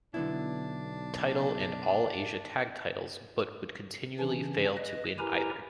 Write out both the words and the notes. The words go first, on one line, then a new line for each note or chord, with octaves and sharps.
Title and All Asia Tag Titles but would continually fail to win either.
B1 D3 B3 D4 E4
C#3 E3 C#4 D4
B4 D#5
E4 G4 A#4 B4 G#5 A#5